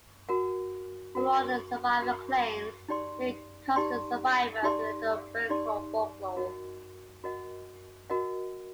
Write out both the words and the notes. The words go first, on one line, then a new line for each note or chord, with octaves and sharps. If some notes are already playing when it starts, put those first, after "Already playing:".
For more on survivor claims, see "Custer Survivors in Little Bighorn Folklore".
F#4 A#4 F#5
F#4 A#4 F#5
F#4 A#4 F#5
D#4 G4 D5 G5 C6
D#4 G4 D5 G5 C6
D#4 G4 D5 G5 C6
D#4 G4 D5 G5 C6
F#4 A#4 D#5 F#5
F#4 A#4 D#5 F#5
F#4 A#4 D#5 F#5